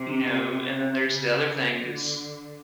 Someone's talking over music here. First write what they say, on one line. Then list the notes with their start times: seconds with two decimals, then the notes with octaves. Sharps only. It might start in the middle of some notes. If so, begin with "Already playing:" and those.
you know, and then there's the other thing is
Already playing: C3
1.04 C#3
1.77 D3